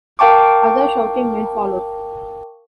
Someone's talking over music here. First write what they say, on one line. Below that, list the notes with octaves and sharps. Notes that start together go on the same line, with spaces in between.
Other shouting men followed.
A#4 F5 G5 A5 C#6 D6